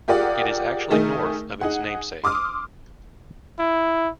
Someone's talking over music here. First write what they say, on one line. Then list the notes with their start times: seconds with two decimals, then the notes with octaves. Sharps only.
It is actually north of its namesake.
0.08 F4 G4 G#4 A#4 D5 F#5
0.90 D#3 A3 D#4 G#4 A#4
1.61 D#4 G#4 F#5
2.24 C6 D6 D#6 F6
3.59 E4